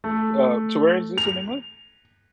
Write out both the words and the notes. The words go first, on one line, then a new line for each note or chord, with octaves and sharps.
Uh, so where is this in England?
A3
F7